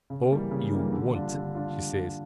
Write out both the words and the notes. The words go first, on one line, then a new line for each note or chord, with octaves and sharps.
"No you won't," she says.
C#3
E3 G3 A#3
C#3
E3 G3 A#3
D3
G3 D4 F4
D3
G3 D4 F4